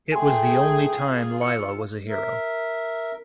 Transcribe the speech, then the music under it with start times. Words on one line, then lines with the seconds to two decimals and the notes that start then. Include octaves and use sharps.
It was the only time Lilah was a hero.
0.12 A3 G#4 G5 G#5 C6
0.95 F4
1.41 E6 C#7
2.09 A#4 E5